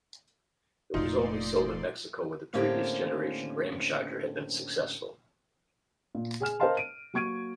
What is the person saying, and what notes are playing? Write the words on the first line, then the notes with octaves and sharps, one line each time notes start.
It was only sold in Mexico, where the previous generation Ramcharger had been successful.
F1 A#2 A3 D#4 F4 D5 C6
A2 D3 A#3 C4 C#4 G4
A#2
G#4 G#5 F6 E7
A#4 C5 D#5 F5 A5 C6
D7 D#7
F#3 A#3 C#6 G#6 D7 D#7